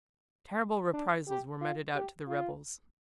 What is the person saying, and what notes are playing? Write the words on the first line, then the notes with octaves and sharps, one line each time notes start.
Terrible reprisals were meted out to the rebels.
D4
G4
F4
G4
F4